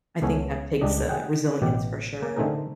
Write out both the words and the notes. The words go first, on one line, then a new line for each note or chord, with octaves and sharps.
I think that takes, uh, resilience for sure.
C#2 A3 B3 C#4 E4 C#5
C#2 G3 D4 D#5
G#4 F#5 G5
A1 B2 G4
A#3
D3 A3 C4 D#4 G#4 A#4